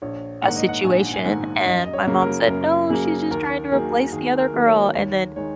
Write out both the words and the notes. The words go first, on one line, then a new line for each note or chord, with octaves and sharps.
"a situation." And my mom said, "No, she's just trying to replace the other girl." And then
A#1 C#5
G#2 D#3 A#3 F#5
D#5
F#5
A#1 G#5
G#5
G#2 D#3 A#3 F#5
F#2 D#5
D#5
C#5
C#3 F#3 A#3
A#4
F#2 A#4
C#3 F#3 A#3 G#4
D#2 A#4
D#3 F#3 A#3 G#4
D#2 G#4
A#4
D#3 F#3 A#3
C#5
D#2 C#5
D#3 G#3 C#5